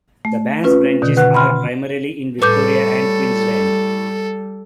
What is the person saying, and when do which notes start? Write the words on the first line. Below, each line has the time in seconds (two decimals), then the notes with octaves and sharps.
The bank's branches are primarily in Victoria and Queensland.
0.25 A3
0.64 C#4 F4 B4
1.02 B2 D3 D#3
1.17 B4 F#5 F#6
1.34 B5 C6 F6
2.42 A2 G3 A4 B4 D6 G6